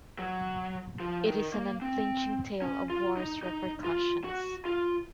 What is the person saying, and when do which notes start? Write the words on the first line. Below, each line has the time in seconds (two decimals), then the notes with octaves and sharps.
It is an unflinching tale of war's repercussions.
0.19 F#3
1.00 F3
1.27 D#3
1.54 A#3
1.82 C4
2.62 C#4
2.90 F4
3.17 D#4
3.43 D#4
3.84 F4
4.24 F#4
4.65 F4